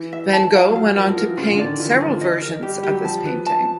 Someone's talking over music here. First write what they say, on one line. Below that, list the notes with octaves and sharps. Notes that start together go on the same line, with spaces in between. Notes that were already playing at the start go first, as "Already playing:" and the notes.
Van Gogh went on to paint several versions of this painting.
Already playing: E3
E5
A5
F3 F5
F#3
F5
F3 A#4
F3
E3 A#4
C#3 F4
D3
D5
D#3
E3 F4
F3
F4
F3
D#5
A#4
G3 G4
G3
G4
F#3
F3 A5
B4
A5